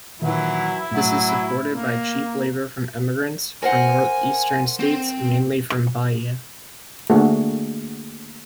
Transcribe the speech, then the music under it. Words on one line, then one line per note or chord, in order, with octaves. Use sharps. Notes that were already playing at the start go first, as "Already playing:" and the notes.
This is supported by cheap labor from emigrants from northeastern states, mainly from Bahia.
A#2 D#3 E3 F#3 E4
A2 F#3
A#3
A#4 C5 F#5 G#5
C4
D3 A3 A#3 F#4 G#4